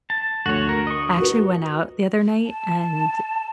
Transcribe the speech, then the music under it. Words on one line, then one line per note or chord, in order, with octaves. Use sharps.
actually went out the other night, and
A5
D2 F#4 C#5
A#4
D#5 C#6
F#4 B4
A5